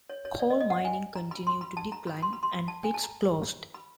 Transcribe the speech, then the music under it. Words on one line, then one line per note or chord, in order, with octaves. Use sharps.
Coal mining continued to decline and pits closed.
C#5
C#5
D5
D#5
D#5
F#5
G#5
A#5
B5
C6
B5
A5
A#5
B5
C6
B5
C6
B5
A5
G#5
A5
A#5
B5